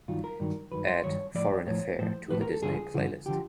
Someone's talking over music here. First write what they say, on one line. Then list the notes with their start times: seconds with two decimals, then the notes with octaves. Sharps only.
Add Foreign Affair to the disney playlist.
0.08 G2 D#3 F#3 F4
0.24 A#4
0.40 G2 D#3 F#3
0.72 G2 D#3 F#3 B4
0.87 C5
1.04 G2 D#3 F#3 C#5
1.35 A2 F3 D5
1.67 A2 F3 C#5
1.99 A2 F3 C5
2.30 A2 F3 B4
2.41 A#4
2.52 A4
2.62 G2 D3 F3 G#4
2.94 G2 D3 F3
3.26 D3 F3 G4